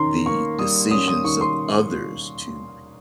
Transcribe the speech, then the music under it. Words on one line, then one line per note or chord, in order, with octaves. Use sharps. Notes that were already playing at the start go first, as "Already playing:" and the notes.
the decisions of others to
Already playing: D#3 C#4 A#5 C6
A#3 C#6
G3 D#6
C#4 D#6
D#6
D#3 C#6
C6